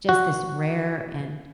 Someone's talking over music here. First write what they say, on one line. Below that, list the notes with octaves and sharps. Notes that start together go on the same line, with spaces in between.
just this rare and
F#4